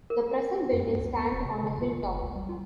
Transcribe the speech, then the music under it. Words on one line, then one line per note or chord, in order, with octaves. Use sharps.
The present building stand on a hilltop.
A#4
F#2
G2
D2
B3
E1
C3
C#3
F4
F#1
D2
G3
F4